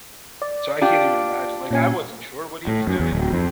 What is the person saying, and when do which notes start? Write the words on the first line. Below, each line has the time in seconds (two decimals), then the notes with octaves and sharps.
So, I can't even imagine like I wasn't sure what he was doing,
0.42 D5
0.81 D4 F4 G4
1.71 A#2 C#4 G#5
2.67 A2
2.87 F#2
3.00 E2
3.12 D1
3.32 F2